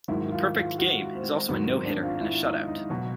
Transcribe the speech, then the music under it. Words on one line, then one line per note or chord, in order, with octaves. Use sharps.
A perfect game is also a no-hitter and a shutout.
G#2 D#3 F#3 E4
F4
F4
F#4
C4
G#2 D#3 F#3 B3
C4
D4
F4
E4
D#4
D#4
B2 F#3